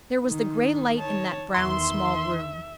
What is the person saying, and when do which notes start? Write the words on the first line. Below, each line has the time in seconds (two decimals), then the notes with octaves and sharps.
There was the grey light in that brown, small room.
0.23 D#3 D#4
0.98 C#5 A5
1.54 E2 D#3 E5 C6